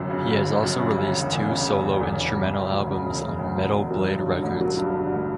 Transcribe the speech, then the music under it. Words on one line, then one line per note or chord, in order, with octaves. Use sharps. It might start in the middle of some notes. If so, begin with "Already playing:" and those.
He has also released two solo instrumental albums on Metal Blade Records.
Already playing: G1 F#2
C#3
G1
G1
F#2
C#3
G1
E1
E2
C#3
E1
E1
E2
C#3
E1
E1
D2
C#3
E1
E1
D2
C#3
E1
F#3
G2
D3
A1
F#3
G2
D3
A1